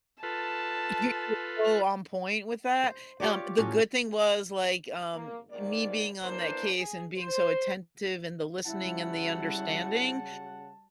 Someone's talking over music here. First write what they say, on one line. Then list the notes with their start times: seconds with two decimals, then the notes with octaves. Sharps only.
You are so on point with that, um, the good thing was, like, um, me being on that case and being so attentive in the listening and the understanding,
0.23 F4 A4 B4 A5
2.84 C5
3.20 F4 G4 C#5 D5
3.58 A2 C#4 F4 F#4
5.13 A#3
5.50 G#2 D#3 A#3 D5
6.24 A#3 D4 E4 B4 C5
6.76 G#4
7.16 C5
8.66 C#3 G3 E4 F#4 F#5 A5